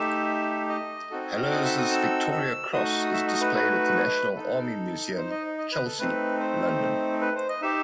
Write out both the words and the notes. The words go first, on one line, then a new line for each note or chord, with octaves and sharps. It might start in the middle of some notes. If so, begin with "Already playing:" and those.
Hallowes' Victoria Cross is displayed at the National Army Museum, Chelsea, London.
Already playing: A3 D#4 G4 E5
D#5
C4 D#4 F#4 A4
D#5
E5
D#6
E6
E6
A3 D#4 F#4 D#6
E5
D#5
B4
B4
D#4 A4
C5
D#5
D#5
B4
A4
A3 C4 D#4 B4
C5
B4
C5
D#5
D#4 G4 E5